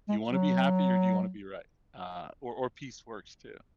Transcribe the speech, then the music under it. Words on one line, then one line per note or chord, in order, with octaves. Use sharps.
Do you wanna be happy or do you wanna be right? Uh, or or peace works too,
G#3
F#3